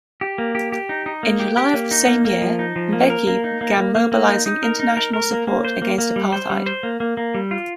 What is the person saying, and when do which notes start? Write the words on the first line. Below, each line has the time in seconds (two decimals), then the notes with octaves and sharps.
In July of the same year, Mbeki began mobilising international support against apartheid.
0.21 G4
0.38 A#3
0.55 G4
0.72 G4
0.89 D#4
1.06 D#4
1.23 A#3
1.40 G4
1.57 G4
1.74 A#3
1.91 D#4
2.08 A#3
2.25 A#3
2.42 F3
2.59 D#4
2.76 F3
2.93 A#3
3.10 A#4
3.27 A#3
3.44 D#4
3.61 A#3
3.78 A#3
3.95 A#3
4.12 A#3
4.29 D#4
4.46 D#4
4.63 A#4
4.80 D#4
4.97 A#4
5.13 A#4
5.31 A#3
5.47 A#3
5.65 C5
5.82 A#3
5.98 A#3
6.16 G3
6.33 C5
6.50 G3
6.66 C5
6.83 A#3
7.00 A#3
7.17 A#3
7.35 G3
7.51 F4